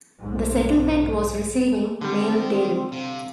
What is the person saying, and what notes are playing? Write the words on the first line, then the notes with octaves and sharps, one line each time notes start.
The settlement was receiving mail daily.
B1 G#2
D3 D#3 G3 G#3 C4
C3 F5